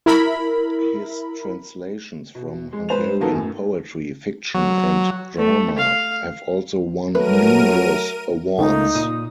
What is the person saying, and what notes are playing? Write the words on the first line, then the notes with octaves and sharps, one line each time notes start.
His translations from Hungarian poetry, fiction and drama have also won numerous awards.
E4 A#4 B5
B2
G#3
G#2 B4 C5 F7
D#3 F#3 A#3 B3 D#4 A4
F#2 A2
F#3
A3
F5
F#3 A3 A#4 B4 D#7
C#2 A3 A#3 D#4
A#2 D#6